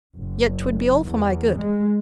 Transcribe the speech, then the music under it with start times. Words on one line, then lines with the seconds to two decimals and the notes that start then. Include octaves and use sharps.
Yet 'twould be all for my good.
0.19 F#1
1.10 E2
1.58 G#3